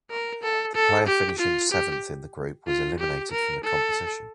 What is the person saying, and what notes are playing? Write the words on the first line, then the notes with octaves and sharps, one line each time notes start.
The player finishing seventh in the group was eliminated from the competition.
A#4
A4
A4
G4
F4
G4
F4
G4
A#4
A4